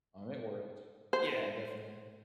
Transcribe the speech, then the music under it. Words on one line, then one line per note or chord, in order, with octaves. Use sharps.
um, it worked. Yeah, definitely.
C5